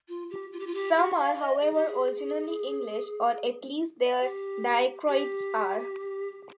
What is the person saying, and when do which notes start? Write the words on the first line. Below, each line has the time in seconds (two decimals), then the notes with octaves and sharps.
Some are however originally English, or at least their diacritics are.
0.08 F4
0.30 G4
0.52 F4
0.59 G4
0.67 F4
0.74 G4
0.96 G4
1.18 F5
1.39 D#5
1.61 G#4
1.74 G4
1.88 G#4
4.21 G4
5.08 G4